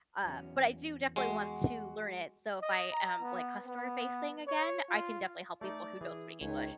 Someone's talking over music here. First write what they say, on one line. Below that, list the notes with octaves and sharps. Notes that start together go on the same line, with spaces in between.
Uh, but I do definitely want to learn it so if I am, like, customer-facing again, I can definitely help people who don't speak English,
E2 F#3 C#4
G#3 F#4
D#5
A#5
B3
B3
C#5
F4
A3 D#4 D5
E3 G#4
C#2 D#3 G#3 D#4 C#5